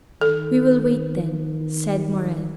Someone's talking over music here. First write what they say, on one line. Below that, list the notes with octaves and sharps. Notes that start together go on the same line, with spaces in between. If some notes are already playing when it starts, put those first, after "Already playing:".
"We will wait, then," said Morrel.
D#3 A4